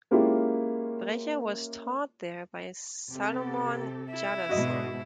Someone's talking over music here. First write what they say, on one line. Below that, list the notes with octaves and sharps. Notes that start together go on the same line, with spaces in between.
Brecher was taught there by Salomon Jadassohn.
G#3 A#3 C#4 E4 F4 G4
C3 G4 A4
E4
G#2 B2 F#4 D#5